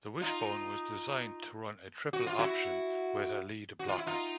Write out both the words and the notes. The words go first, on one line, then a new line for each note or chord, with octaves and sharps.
The wishbone was designed to run a triple-option with a lead blocker.
D#4 F4
F#4
F4
E4 F#4
F#4
F4
E4
D#4 F4